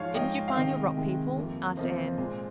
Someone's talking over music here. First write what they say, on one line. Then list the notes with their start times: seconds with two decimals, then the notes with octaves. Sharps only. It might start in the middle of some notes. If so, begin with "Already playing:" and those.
"Didn't you find your Rock People?" asked Anne.
Already playing: G#2 F3 G#3 C#5 F5
0.14 G#2 F3 G#3 D#5 G5
0.48 F5
0.54 C3 D#3 G#3 D#5 G5
0.96 C3 D#3 G#3
1.36 F2 C3 F3 A#3
1.77 F2 C3 F3 A#3 C5 D#5
2.18 A#2 G#3